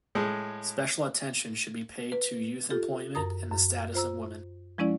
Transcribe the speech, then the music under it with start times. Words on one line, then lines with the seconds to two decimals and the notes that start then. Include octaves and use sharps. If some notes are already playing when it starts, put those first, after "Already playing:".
Special attention should be paid to youth employment and the status of women.
0.15 A2 G#3
2.12 B4
2.70 F4 G4 A4
3.15 F#2 A#4 A#5 D#6
3.51 F#2
3.94 F4 C5 A#5 E6
4.78 F3 G#3 C#4 E4 D5